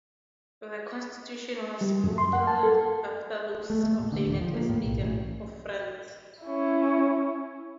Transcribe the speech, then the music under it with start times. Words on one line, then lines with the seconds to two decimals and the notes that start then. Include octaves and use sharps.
The constitution was modeled after those of the United States and of France.
1.81 G3
2.04 F#2
2.18 C6
2.33 F#5
2.47 A5
2.63 A4
3.70 A3
3.84 A3
4.00 A#2
4.12 D3
4.27 D#1
4.41 F3
4.55 A#3
4.70 A2
4.85 B1
5.02 A1
6.43 C#4 E4